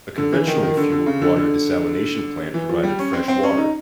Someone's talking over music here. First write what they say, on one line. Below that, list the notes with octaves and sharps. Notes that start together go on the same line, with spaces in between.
A conventionally fueled water desalination plant provided fresh water.
D3
E3
D#3
D#3
D3
D3
C#3
D3
D3
E3
F3
G3
C#4
C4
C4
C#4
D#4